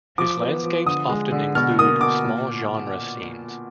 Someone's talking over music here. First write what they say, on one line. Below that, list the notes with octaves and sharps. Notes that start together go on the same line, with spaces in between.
His landscapes often include small genre scenes.
F3 D6
B3
F3
D3 D#6
G#3
D3
B2 F6
A#3 D#6
B2 D6
A#2